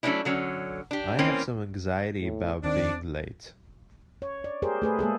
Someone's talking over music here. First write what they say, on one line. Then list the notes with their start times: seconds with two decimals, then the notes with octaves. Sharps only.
I have some anxiety about being late.
0.03 F#3 A3 A#3 C#4 D4 E4
0.25 D3 F#3 C#4
0.91 D4 G4
1.19 E3 A#3 C4 C#4
2.21 A2
2.63 D#2 D#3 C4 D4 D5
4.22 C#5
4.44 D5
4.62 G4 G#4 A#4 C5
4.82 A3 G#4 B4
4.99 G#3 A#3 G#4 A4